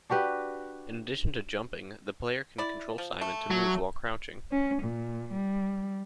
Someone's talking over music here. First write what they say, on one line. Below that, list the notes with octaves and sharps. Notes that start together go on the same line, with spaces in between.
In addition to jumping, the player can control Simon to move while crouching.
D4 F#4 G4 B4
E4 D5
F3
A3
F#3
C#4
A#2
G3